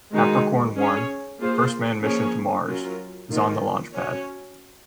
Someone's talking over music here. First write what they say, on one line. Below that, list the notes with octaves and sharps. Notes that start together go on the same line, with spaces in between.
Capricorn One-the first manned mission to Mars-is on the launch pad.
D#3 G#3 D#4 F#4
C#4 G#4 C#5
A#3 F4 G#4 C5
F3 A#3 C#4 G#4 C#5
F#3 C#4 F4 A#4
D#3 A#3 F4
C#4 F#4 C#5